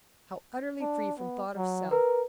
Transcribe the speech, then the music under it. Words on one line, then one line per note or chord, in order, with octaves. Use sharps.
How utterly free from thought of self!
D4
B3
F#3
A#4 B4